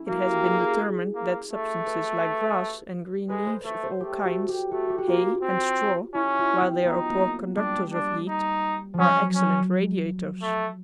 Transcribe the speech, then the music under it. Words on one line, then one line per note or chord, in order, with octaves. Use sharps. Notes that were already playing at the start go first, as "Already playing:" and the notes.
It has been determined that substances like grass and green leaves of all kinds, hay and straw, while they are poor conductors of heat, are excellent radiators.
Already playing: C#4 E4
A#3 F#4
G4
G#4
A#3
A3
B4
G#3 B4
C5
A3 C5
C5
A3 G4
F#4
G4
A3 F#4
G4
F#4
A#3 F4
C4
C#4 E4
F4
C4
B3 D#4
A#3
G3 D4
D4
D#4
F3
F#3 C#4
C#4
A3